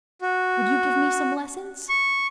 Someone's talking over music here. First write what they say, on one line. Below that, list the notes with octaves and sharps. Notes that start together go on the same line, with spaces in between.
Would you give me some lessons?'
F#4
C#6